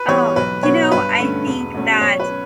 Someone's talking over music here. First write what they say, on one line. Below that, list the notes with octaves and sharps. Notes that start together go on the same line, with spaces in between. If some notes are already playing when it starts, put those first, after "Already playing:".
Oh, you know, I think that
Already playing: B4
E3 G3 B3 C#5
B1 B4
B2 F#3 B3 C#5
G2 B4
D3 A3 C#4
E1
E2 B2 A3 C#4
B1 C#5
B4
C#4